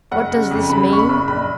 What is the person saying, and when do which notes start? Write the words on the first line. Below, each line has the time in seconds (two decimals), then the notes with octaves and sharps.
What does this mean?
0.11 F#1 F#5
0.31 C#3
0.51 F2
0.70 C#3 B5
0.89 F#1 C#6
0.99 B5
1.09 F#1
1.27 A#1 B5